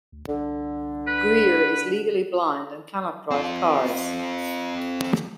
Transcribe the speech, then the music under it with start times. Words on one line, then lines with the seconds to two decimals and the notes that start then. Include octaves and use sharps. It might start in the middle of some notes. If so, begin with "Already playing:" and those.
Greer is legally blind and cannot drive cars.
0.12 D2
0.28 C2 D3
1.07 B4
3.31 C4 F4